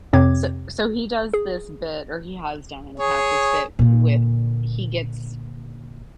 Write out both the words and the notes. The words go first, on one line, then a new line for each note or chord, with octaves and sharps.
So so he does this bit or he has done, in the past, this bit with he gets
F2 C3 C4 C#5 D6 G#6
G#4
G#4 C#5
A#2 D3